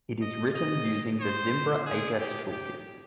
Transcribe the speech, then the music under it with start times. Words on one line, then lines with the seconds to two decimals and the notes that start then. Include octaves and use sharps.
It is written using the Zimbra Ajax Toolkit.
0.22 D#5
0.54 D#5
1.21 C5
1.86 G#4
2.18 G4
2.52 G4